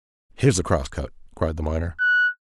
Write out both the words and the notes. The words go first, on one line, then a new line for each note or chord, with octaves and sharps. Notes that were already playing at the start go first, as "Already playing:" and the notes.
"Here's the cross cut," cried the miner.
F#6